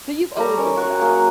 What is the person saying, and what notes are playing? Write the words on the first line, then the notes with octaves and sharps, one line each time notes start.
So, you've always been good at it?
G3 A4 C#5 A#5
C#4 A#4 C#5 D#5
F#4 F5 F#5 C#6
F#3 A#3 G#4